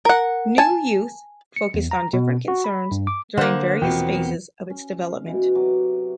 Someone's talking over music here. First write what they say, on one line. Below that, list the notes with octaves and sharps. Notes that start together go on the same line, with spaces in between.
"New Youth" focused on different concerns during various phases of its development.
A#4 F#5
G#5 A5
C#7
E2
A#5
B2
F#4
B5
G2
D6
D3 A#3 C5 F#5
E2 B2 F3 B3 C4 G5
C#4
F5
B2 E3
C3 F#3 D6